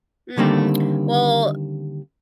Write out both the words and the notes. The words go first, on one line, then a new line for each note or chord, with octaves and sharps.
Mm, well,
D3 D#3 G3 A#3 C4